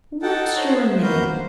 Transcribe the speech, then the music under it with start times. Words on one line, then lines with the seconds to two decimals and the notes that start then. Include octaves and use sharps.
"What's your name?"
0.22 D#4 A4 F#5 G5 A5
0.56 A4 C5 C#5 F#5 A#5
0.77 C5 E5
1.02 A#3 F#4 A#4 B4 F5 G6
1.27 C5